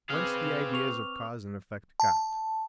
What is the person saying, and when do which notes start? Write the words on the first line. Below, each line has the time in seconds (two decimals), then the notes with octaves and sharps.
Whence the Ideas of cause and effect got.
0.10 C4 G#4 B4 F5 D6 F6
0.74 C#6 F7
2.00 A5